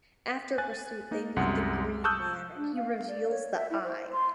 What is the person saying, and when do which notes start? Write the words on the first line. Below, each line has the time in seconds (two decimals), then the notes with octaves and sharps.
After a pursuit they meet the Green Man and he reveals the Eye.
0.58 G#5 F#6 A6
1.11 A#3 D#4
1.36 C2 F#2 G#3 F#5 C6
2.04 A5 C#6 D#6 E6 F#6 G6
2.57 D4
2.76 F5
3.08 D5
3.29 C#5
3.55 E5
3.70 E4
3.83 C5
4.12 C6